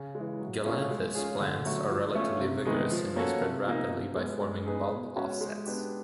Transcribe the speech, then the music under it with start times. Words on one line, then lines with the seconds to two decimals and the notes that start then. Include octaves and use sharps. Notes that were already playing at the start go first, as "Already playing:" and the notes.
"Galanthus" plants are relatively vigorous and may spread rapidly by forming bulb offsets.
Already playing: C#3
0.15 G#3
0.20 E3
0.40 F#3
0.65 A3 C#4 F4 G#4
0.91 G#3
1.15 C#4 F4 G#4
1.40 D3
1.65 F#3 A3
1.90 F3
2.15 A3 C#4 F4
2.40 C3
2.65 D#3 G#3 B3 D#4
2.91 F3
3.16 A#3 C#4 F#4 A4
3.40 C3
3.66 F3 A#3 D#4
3.90 B2
4.15 G#3 B3
4.40 G#3
4.66 B3 D#4 G#4 B4
4.91 B2
5.16 G#3 C#4 F#4
5.41 G#3
5.66 B3 D4 G4